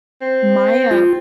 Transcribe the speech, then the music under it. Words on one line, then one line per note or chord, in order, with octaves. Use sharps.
My, uh
C4
F4